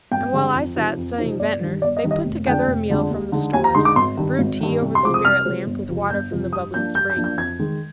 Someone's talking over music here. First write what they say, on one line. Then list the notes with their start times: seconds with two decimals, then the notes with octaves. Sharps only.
And while I sat studying Ventnor, they put together a meal from the stores, brewed tea over the spirit-lamp with water from the bubbling spring.
0.11 G#1 G5
0.33 G2 D3 G#3
0.54 F2
0.75 C3 F3 C4 D#4
0.97 F2
1.18 C3 F3 C4 D#4
1.39 G1 D5
1.61 G2 D#3 G3
1.82 G1 D5
1.97 D#5
2.04 G2 D#3 G3
2.11 D#5
2.25 F1
2.47 F2 D3 G#3 D4 G5
2.68 F1
2.89 F2 D3 G#3 D4
3.11 D#2
3.32 D3 G#3 D#4
3.53 D#2 G#5
3.64 A#5
3.75 D3 G#3 D#4 C6
3.85 D6
3.96 G#1 C6
4.17 G2 D#3
4.39 G#1
4.60 G2 D#3
4.82 C2
4.95 C6
5.03 C3 F3 G#3 C4 D6
5.14 D#6
5.24 C2 F6
5.45 C3 F3 G#3 C4
5.67 G1
5.88 F2 C3 F3
6.10 G1 G6
6.31 F2 C3 F3
6.53 G2 D#6
6.74 F3 A#3 D4 G6
6.95 G2 G6
7.10 G6
7.17 F3 A#3 D4
7.24 G6
7.38 F2 G#6
7.59 D#3 G#3